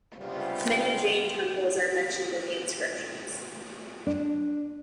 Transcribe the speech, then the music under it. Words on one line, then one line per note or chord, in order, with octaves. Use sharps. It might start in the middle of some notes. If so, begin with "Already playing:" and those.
Many Jain temples are mentioned in the inscriptions.
C#2 G2 C3 G3 B3 F4
D4